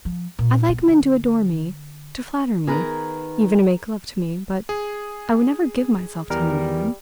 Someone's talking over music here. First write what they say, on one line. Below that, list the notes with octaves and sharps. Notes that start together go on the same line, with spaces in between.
I like men to adore me--to flatter me--even to make love to me--but I would never give myself to any man.
F3
A#2
B3
D3
D#3 B3 G#4 A#4 B4
G#4
E2 G3 A#4